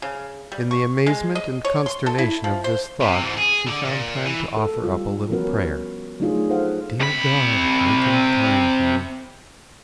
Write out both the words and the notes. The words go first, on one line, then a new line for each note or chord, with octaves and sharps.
In the amazement and consternation of this thought she found time to offer up a little prayer: "Dear God, make him kind to me."
C#3
G3
C#6
G#3
D#5
C#5
C6
A4
E4
F3
C5
C3
G#2 E3
G#4
D3 D5
A#2
E3
A4
G3 F4 G4
F3 B3 C#4 F#4 A#4 B4
F#3 A3 D4 D#4 F4 G#4
F4 A4 C5 F5 F#5
C3 B5